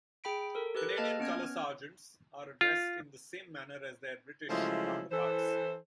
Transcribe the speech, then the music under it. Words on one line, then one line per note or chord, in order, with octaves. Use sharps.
Canadian colour sergeants are addressed in the same manner as their British counterparts.
G#4 G5 B5 B6 D7
A4 A#4
G4 A4 B4 F#6
A#3 D#5 A5 F6 A6
B3 C#4 F6 G#6
F4
C#3 F3 F#3 G#3 A3 E4
E3 A4 C5